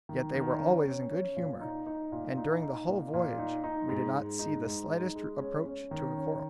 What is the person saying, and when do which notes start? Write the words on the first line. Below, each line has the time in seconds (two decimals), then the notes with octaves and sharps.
Yet they were always in good humor, and during the whole voyage we did not see the slightest approach to a quarrel.
0.09 D#3
0.35 D#3
0.60 C#4
0.85 C#4
1.11 C#4
1.36 A#2
1.61 D#4
1.86 D#4
2.12 A#2
2.37 D#4
2.62 D#4
2.88 A#2
3.13 A#2
3.38 D#4
3.64 D#4
3.89 G#2
4.15 G#2
4.39 D#4
4.65 G#2
4.90 D#4
5.16 G#3
5.41 C#4
5.66 C#4
5.91 D#3
6.17 C#4